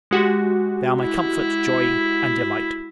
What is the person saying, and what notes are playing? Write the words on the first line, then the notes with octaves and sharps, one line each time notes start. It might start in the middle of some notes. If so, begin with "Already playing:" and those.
They are my comfort, joy, and delight.
G#3 F#4 G4
E4